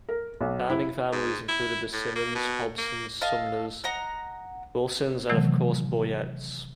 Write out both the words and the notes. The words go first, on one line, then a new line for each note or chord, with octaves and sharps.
Founding families included the Simmons, Hobsons, Sumners, Wilsons, and of course Boyettes.
A#4
B1
E4
G#2
E4
A2
A#3
B2
A#3
A4 D#5 F5
D#5 F#5 A#5
C3 D#3 E3 F#3 A3